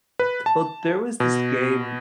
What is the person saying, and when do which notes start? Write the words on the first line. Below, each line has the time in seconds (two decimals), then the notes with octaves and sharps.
Well, there was this game
0.19 B4
0.46 A5
1.20 B2